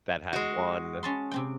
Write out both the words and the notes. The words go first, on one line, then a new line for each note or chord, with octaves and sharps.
that had one
G#3 F#4
C#4 A5 C6
C3 C4 G5